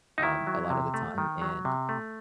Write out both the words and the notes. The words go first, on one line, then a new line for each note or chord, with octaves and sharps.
um, a lotta the time. And,
D#4
D#3 E4
F#3
C3
A3
D#3
F#3
C3
A3